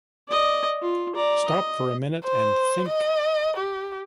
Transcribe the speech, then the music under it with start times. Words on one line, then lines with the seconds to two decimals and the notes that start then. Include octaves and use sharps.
Stop for a minute and think.
0.28 D5 D#5
0.82 F4
1.15 D5 A#5
1.48 D#5
2.25 C5
2.88 D#5
3.57 G4